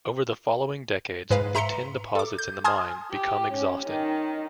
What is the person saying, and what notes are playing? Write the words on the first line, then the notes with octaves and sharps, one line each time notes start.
Over the following decades, the tin deposits in the mine become exhausted.
G#2 B4 F5
E5 A#5 C6 B6 C#7
A4 D6
G6
G#5 A5 C6 D#6 F6 G#6
G4
C#4
D#3